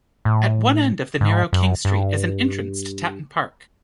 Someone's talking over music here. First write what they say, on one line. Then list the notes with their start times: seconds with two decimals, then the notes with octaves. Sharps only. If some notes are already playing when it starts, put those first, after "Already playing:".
At one end of the narrow King Street is an entrance to Tatton Park.
0.25 A2
1.21 G#2
1.53 F#2
1.85 G2